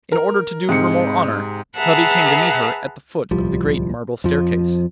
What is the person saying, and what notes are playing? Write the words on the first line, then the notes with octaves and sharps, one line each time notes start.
In order to do her more honour, Tubby came to meet her at the foot of the great marble staircase.
A#4
G#2 C3 C#7
G#4 B4 E5 F#5 A5 A#5
D1 C2 F3 G3
F2 F3